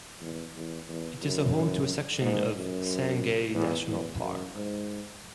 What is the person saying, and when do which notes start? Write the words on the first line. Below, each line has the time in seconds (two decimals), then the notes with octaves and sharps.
It is a home to a section of Sangay National Park.
0.22 E2
0.55 E2
0.88 E2
1.22 F#2
2.21 G#2
2.55 F#2
3.54 E2
3.87 E2
4.20 F#2
4.54 G#2